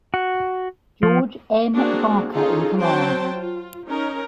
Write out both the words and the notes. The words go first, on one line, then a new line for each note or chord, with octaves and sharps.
George N. Barker in command.
F#4
F3
A#3 C4 D4 F#4 G#4
C#4 D#4 F4 G#4 A4
F#3 C4 C5 G5 A5
F4
C#4 D#4 A#4